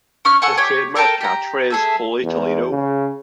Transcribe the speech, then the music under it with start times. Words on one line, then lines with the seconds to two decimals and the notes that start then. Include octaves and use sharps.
His trademark catchphrase Holy Toledo!
0.25 C#4 C#6 F6
0.42 A4 F#5 G#5 C#6
0.57 G4 C#5
0.95 A4 A#4 G5 A5
1.21 G4 A#5
1.70 G#4 A4 E5
2.23 E2
2.70 C#3